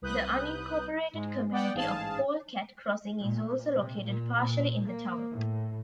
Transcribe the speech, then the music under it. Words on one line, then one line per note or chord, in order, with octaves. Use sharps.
The unincorporated community of Pole Cat Crossing is also located partially in the town.
C2 B4 D#6 F#6 G6
G#2 G#3
B3 D5 F#5 G5
A1 G#2 G#4 F5 A5
A#2
C3
A#2
A#2
A#3
A2